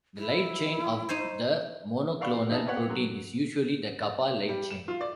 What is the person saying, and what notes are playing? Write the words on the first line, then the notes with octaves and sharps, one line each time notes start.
The light chain of the monoclonal protein is usually the kappa light chain.
E4
D#4 C5 C#5
A#4 D5 F5 F#5 B5 C#6
E3 D#4 B4 A5
A#3 B3 C#5 F#5 G5
D3 F#3
G3
E7
F4
D5